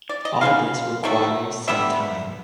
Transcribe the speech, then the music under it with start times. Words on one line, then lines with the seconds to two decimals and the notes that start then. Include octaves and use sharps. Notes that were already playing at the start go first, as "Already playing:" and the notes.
All this requires some time.
0.09 D5
0.25 D#5
0.41 B2 G#3 C4 D#4 F5
1.04 C3 D#3 F#3 A3
1.67 D3 G3 B3 E5